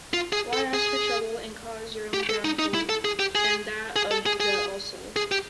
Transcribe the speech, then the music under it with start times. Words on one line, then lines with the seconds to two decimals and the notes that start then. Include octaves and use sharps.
Why ask for trouble and cause your own downfall and that of Judah also?
0.14 F4
0.33 G#4
0.53 A4
0.74 G#4
2.14 G4
2.29 A4
2.45 D#4
2.59 D#4
2.74 E4
2.89 A4
3.05 G#4
3.19 G4
3.35 G#4
3.96 G#4
4.11 A4
4.26 G#4
4.40 G#4
5.16 G#4
5.32 G4